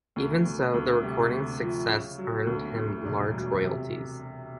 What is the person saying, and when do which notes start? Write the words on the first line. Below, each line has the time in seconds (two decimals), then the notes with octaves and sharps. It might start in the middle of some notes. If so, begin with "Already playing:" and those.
Even so, the recording's success earned him large royalties.
0.16 D2
0.45 D2
0.74 D2
1.02 C3
1.31 D2
1.60 F3
1.89 C#3
2.18 F#3
2.47 D2
2.76 D2
3.05 E1
3.33 F#3
3.63 C3